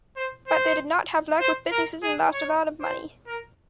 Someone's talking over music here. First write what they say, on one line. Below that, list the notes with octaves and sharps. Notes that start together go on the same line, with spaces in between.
But they did not have luck with businesses and lost a lot of money.
C5
C5
C5
A#4
G#4
C#5
C5
A#4